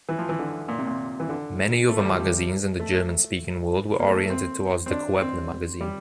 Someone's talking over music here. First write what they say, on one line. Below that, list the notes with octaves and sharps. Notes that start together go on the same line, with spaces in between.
Many other magazines in the German-speaking world were oriented towards the Koebner magazine.
E3
F3
E3
D3
A#2
C3
A#2
E3
D3
A3
G3
F3
G3
A3
A#3
A3
A#3
C4
C4
D4
C4
G3